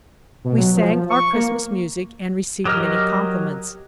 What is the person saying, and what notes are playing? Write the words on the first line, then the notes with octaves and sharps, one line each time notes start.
We sang our Christmas music, and received many compliments.
B2
F#3
F3
F3
C#6
A#3
F#3 G4 A#4 D#5 F6